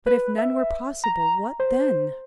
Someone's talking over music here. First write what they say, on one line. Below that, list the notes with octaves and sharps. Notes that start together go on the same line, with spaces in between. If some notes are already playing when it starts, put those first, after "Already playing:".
"But if none were possible--what then?"
B4
E5
A#5
C5